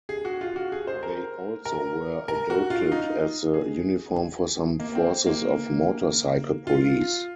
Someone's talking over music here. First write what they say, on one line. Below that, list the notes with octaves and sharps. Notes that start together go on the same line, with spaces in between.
They also were adopted as the uniform for some forces of motorcycle police.
G#4
F#4
F4
F#4
G#4
C5
A#4
A#4
A#4
F#4
F4
D#4
G#4
A#3
C4
A#3
F4